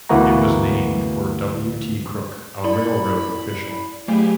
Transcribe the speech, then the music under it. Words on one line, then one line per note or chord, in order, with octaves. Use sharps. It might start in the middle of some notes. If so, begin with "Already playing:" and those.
It was named for W. T. Crook, a railroad official.
D2 E3 A#3 B3 F#4 A#5
E4 D5 B5
F#3 A3 G4 G#4